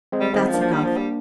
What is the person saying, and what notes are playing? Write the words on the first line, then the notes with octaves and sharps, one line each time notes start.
That's enough.
G#3 C4
G3
D#3 G#3 C4
F3
A#3 D4
F3
G3
F3
G3